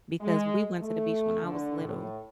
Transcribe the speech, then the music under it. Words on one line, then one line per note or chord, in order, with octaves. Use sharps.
because we went to the beach when I was little,
G#3
A3
D3
A2